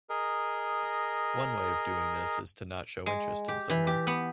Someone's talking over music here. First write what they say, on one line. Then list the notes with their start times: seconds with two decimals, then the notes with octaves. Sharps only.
One way of doing this is to not show interest in someone.
0.10 G#4 A#4 D#5
3.06 G#3
3.48 G4
3.70 E3
3.87 G4
4.07 B3